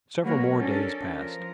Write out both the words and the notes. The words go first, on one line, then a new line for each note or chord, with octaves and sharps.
Several more days passed.
F#3 A#3 F#4 A#4 B4 C#5
C#4 D4 A4 A#4
F3 A#4